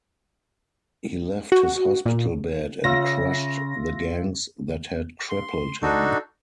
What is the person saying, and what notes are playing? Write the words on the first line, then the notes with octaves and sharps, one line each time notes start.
He left his hospital bed and crushed the gangs that had crippled him.
F#4
A#2
C#3 F4 E5 A#6
C6
D4 D#4 F#4 A4